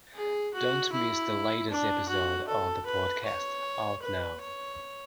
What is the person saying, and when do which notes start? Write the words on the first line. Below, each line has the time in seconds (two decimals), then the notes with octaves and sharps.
Don't miss the latest episode of the podcast. Out now!
0.15 G#4
0.54 F#4
0.92 E4
1.70 D4
2.09 F#4
2.48 A4
2.86 B4
3.25 C#5
4.02 B4
4.41 C#5